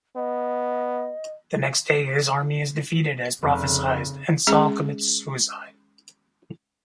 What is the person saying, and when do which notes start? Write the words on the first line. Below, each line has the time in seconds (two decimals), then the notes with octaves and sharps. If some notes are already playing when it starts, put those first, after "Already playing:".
The next day, his army is defeated as prophesied, and Saul commits suicide.
0.16 B3 D#5
3.43 F1 C#3
4.47 G#3 C#4 G#4